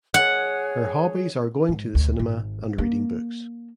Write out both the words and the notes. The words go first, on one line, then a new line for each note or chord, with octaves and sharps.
Her hobbies are going to the cinema and reading books.
G#4 C#5 F#5
G#2
D2
G#1
A#3